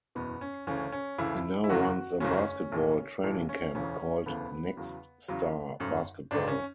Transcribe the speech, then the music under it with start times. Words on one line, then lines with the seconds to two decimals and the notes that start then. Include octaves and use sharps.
He now runs a basketball training camp called NextStar Basketball.
0.15 F#1 E2 B2 B3
0.41 C#4
0.67 D2 C#3 E3 C#4
0.92 C#4
1.18 D2 C#3 E3 E4
1.64 E4
1.69 F#1 E2 C#3 F#3 F#4
2.20 F#1 E2 C#3 F#3 C#4
2.72 B1 A2 E3
3.23 B1 A2 E3
3.49 C#4
3.75 E1 D2 C#3 E3 C#4
4.26 E1 D2 C#3 E3 B3
4.77 E2 C#3 F#3
5.28 E2 C#3 F#3
5.80 G#1 F#2 D3
6.31 G#1 F#2 D3 D4
6.48 C#4